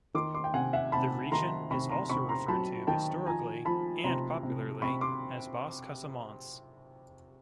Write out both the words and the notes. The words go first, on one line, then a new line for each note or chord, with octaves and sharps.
The region is also referred to historically and popularly as Basse Casamance.
D#3 C6 D6
C6 D6
G5
C3 F#5 G#5
E5 F#5
C3 A5 B5
D#3 A#5 C6
C3 B5 C#6
A#5 C6
C3 B5 C#6
A#5 C6
F#3 A5 B5
D#3 G5 A5
F3 G#5 A#5
F3 A5 B5
C3 A#5 C6
C3
C3 B5 C#6
C6 D6